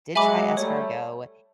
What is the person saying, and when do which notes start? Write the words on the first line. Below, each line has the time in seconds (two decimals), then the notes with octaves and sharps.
did try escargot,
0.15 F#3 G#3 E5 G#5 B5 D6
0.57 G3 A3 C#5